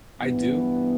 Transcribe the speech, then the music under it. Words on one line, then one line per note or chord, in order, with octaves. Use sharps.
I do.
G2 E3 B3